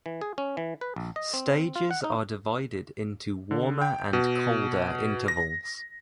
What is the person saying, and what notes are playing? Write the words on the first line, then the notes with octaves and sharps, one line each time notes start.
Stages are divided into warmer and colder intervals.
E3
G#4
C#4
E3
B4
A#1
D#5
C4
F4
F#5
D#4
D3
G5
B2
A#6